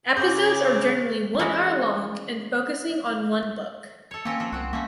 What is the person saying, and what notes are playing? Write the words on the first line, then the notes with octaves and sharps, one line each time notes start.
Episodes are generally one hour long and focusing on one book.
C#3 C#5 D6 G6
E3 G#3 A#3 C#4 E4
A4 C#5
A#3 C4 C#4 A#4
F3
C2 C4 F#4
A3 A#3 C#4